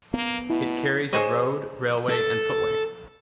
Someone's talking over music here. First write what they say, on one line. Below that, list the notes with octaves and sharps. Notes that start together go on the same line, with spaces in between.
It carries a road, railway and footway.
A#3 B3
B2 E4
G#4 C5 C#5 D#5
A4